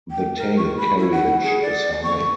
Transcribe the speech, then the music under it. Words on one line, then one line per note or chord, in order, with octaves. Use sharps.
The tail carriage is high.
G5
A#4
C#6
B5
E4
F#5
G#4
D5
C#6